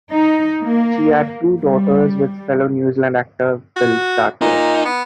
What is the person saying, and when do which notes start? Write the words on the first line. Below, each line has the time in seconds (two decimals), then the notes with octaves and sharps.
She had two daughters with fellow New Zealand actor Bill Stalker.
0.12 D#4
0.64 A#3
1.63 G3
3.77 F#4
4.41 A#2 D#4
4.85 B3